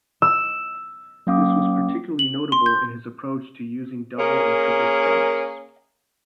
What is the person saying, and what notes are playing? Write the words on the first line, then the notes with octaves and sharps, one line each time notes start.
This was particularly notable in his approach to using double and triple stops.
E6
F#3 A#3 C#4 F5 D6 D#6
F#7
C6
G6
A#3 C#4 G#4 A#4